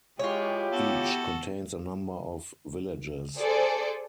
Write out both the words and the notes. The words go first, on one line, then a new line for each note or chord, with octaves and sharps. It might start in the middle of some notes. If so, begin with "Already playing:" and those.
Each contains a number of villages.
G#3 E4 F4 G4 C#5
B3 F#4 A4
G#4 A4 C5 D5